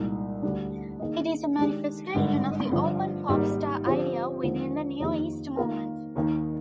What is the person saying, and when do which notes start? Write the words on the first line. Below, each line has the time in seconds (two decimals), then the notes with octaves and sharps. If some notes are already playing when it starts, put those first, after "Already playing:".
It is a manifestation of the "open pop star" idea within the Neoist movement.
Already playing: C2 A#2 G#3 D#4
0.42 D2 D3 G3 D4
1.00 D#3 A#3 D#4 G#4 D#5
1.58 D#3 G#3 D4 G4
2.14 G#1 G2 D3 G#3
2.72 G2 D3 F3
3.29 G#1 G#2 G3 A#3 D#4
3.87 D3 F3 C4 G4
4.43 D#2 D3 F3 G#3 C4
5.00 F2 D#3 A#3 D#4 G4
5.57 D#3 A#3 F4 A#4
6.16 D#2 D#3 A#3 D#4